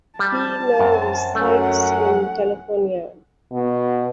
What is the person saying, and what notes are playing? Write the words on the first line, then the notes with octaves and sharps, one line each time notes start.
He now resides in California.
G3 A5
F#2 C4
F#2 F#3 A3 C#4 F#5
B2